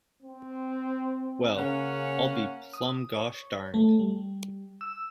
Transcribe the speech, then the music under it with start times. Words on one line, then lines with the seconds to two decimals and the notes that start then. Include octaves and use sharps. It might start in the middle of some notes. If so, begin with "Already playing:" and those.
Well, I'll be plumb gosh darned.
0.22 C4
1.57 C#3 A#3 C#4 F#5
2.73 D#6
3.14 C#5
3.74 A3
3.99 G3
4.81 E6